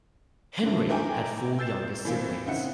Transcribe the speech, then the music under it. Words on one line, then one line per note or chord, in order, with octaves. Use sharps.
Henry had four younger siblings.
G#2 C#3 D4 E4
D#4 E4 A#4 G5 G#5 D6
E6 G6 A6 C7 E7
A2 E3 A#3 C4
C#3 C4 D#4 E4 F#5 C#7